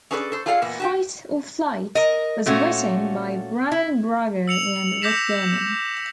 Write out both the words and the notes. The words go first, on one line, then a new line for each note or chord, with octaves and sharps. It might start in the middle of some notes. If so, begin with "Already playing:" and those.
"Fight or Flight" was written by Brannon Braga and Rick Berman.
C#4 G#4 A4 B4 C#5 D5
A4 C5
F4 G#4 A4 D5 F5
E2 A#2 B3
F#4 G4 G5
A#4 D#5
A#2 A3 C#4 F#4
E4
E6 C#7 F7 F#7
D6 G6 A#6 B6 C#7 E7